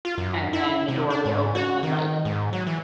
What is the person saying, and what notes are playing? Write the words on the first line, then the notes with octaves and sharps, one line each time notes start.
And then the door will open, and, like,
F4
F#2
E4
C3
D4
G#2
F#4
D#3
G#2
F#3
E3